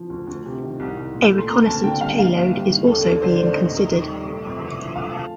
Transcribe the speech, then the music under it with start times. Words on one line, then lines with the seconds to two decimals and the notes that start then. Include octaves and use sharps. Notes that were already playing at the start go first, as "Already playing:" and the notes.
A reconnaissance payload is also being considered.
Already playing: F3
0.10 D2
0.27 D2
0.46 C3
0.63 D#3
0.80 C2
0.97 C2
1.14 A#2
1.32 A3
1.38 C6
1.49 A#3 A#5
1.66 D2 A5
1.84 D3 G5
2.01 G3 F5
2.19 A#3 F5
2.36 G1
2.53 G2 G4
2.70 D#3
2.87 D#2 A4
3.01 A4
3.05 D#2 A#4
3.22 D3 C5
3.39 A3 D5
3.56 D#2 D#5
3.74 D#2
3.91 D#3
4.09 G3
4.26 A3
4.44 F2
4.60 D3
4.78 F3
4.96 A3 F5
5.13 A5